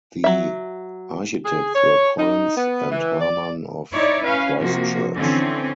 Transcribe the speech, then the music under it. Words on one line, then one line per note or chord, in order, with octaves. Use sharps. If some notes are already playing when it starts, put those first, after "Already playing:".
The architects were Collins and Harman of Christchurch.
F#3 E5
G#4
C#5
D#4
B3
E3
D5
D#4 E4 C#5 D5
C#4 B4 F5
C3 F3 A#3 F#4
D3 E3 C4 C#4